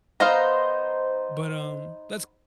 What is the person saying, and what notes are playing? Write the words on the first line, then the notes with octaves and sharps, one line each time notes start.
But, um, that's
B3 D#4 C5 D#5 F5 A#5